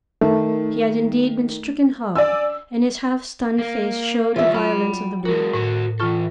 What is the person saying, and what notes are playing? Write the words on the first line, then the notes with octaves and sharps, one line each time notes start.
He had indeed been stricken hard, and his half-stunned face showed the violence of the blow.
D#3 A3
D5 G#5 E6
A#3
E3 G3 F4 E5
F#3 F4 G5 B5
G#3 F#4 A#4
A2 F#4 C5
E3 F4 A4 C#6